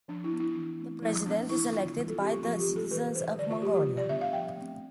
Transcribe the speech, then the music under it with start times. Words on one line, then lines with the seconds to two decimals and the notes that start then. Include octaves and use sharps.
The President is elected by the citizens of Mongolia.
0.08 F3 D4
0.24 E4
0.32 B3 D4
0.40 E4
0.55 E3
0.80 A3 C4
1.02 F3 E4
1.26 B3 D4
1.50 E3 E4
1.73 D4 F4
1.76 B3
1.97 E3 F4
2.08 A4
2.20 C4 G4
2.25 A3
2.32 F4
2.43 F3 F4
2.60 G4
2.68 A3 C4
2.76 A4
2.91 E3 B4
3.15 G3 D4 C5
3.38 D3 D5
3.51 F4
3.61 A3 G4
3.66 F3
3.74 G4
3.86 G3
3.97 D5
4.09 B3 D4 E5
4.21 F5
4.32 F3 G5
4.56 A3 C4